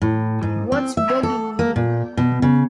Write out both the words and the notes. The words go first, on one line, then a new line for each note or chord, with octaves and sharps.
What’s bugging you?
A2
G#2
C4
E5
A4
A#3
A#2
B2
C#3